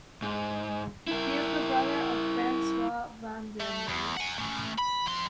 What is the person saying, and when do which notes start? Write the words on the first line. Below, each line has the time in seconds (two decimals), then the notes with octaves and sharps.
He is the brother of François van der Merwe.
0.22 G#2
1.07 E4 A#4
3.60 A3
3.88 E2
4.17 F#5 G#5
4.38 A3 C#4
4.79 B5
5.07 F2 C6